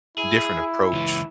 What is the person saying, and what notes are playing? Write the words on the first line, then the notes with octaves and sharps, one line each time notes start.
different approach
E4 G#4
C#2 E3